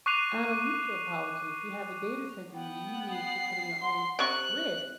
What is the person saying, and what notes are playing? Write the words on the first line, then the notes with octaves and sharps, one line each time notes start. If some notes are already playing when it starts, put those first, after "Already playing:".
I don't need your apology. If you have a data center, then you need to put in your own grid,
C#6 D6 F#6 C7 D#7 F7
B3 F#5 G5
C7
F#5 C6
C3 C#6 F#6